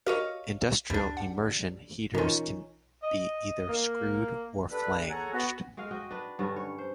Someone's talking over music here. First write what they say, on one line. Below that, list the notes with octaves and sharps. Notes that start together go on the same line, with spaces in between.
Industrial immersion heaters can be either screwed or flanged.
F#4 G4 A#4 C#5 D#5 F5
D2 G2 G3 D4
F#5
B2 D#3 E3 C#4 F4
D#5
A#3
G3 D4 A4 B4
G#4 A4 C#5 F#5 G#5 A#5
B3 F#4
G#3 F#4 D#5 F5
F#4 D#5 G5
D4 B4
G2 D3 C#4
C#5
C5